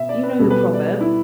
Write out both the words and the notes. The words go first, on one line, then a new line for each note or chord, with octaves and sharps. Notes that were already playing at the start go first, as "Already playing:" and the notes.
'You know the proverb.'
Already playing: B2 B3 E5
D5
B4
B2 G3 B3 A4
B4
B4
D5
E4